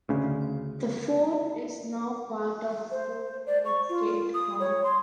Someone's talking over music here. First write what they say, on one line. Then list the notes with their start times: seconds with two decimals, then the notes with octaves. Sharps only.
The fort is now part of Fort Mott State Park.
0.09 D2 C#3
2.91 C5
3.47 D5
3.65 C#6
3.89 F4
4.34 D#6
4.60 C#5
4.84 C6